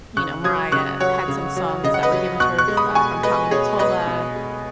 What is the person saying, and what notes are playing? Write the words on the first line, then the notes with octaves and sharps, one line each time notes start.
you know, Mariah had some songs that were given to her, uh, from Tommy Mottola,
C#3 C#6 F#6
F#3 D#6 G#6
C#3 C#6 F#6
F#3 C#5 F#5
C#3
F#3
C#3 D#5
F#5
B4 D#5
F#3
B2 C#6 F#6
C#6 F#6
G#3
B5 D#6
B2 G#5 C#6
G#3 B4 D#5
B2 G#4 C#5
G#3 B4 D#5
B2
G#3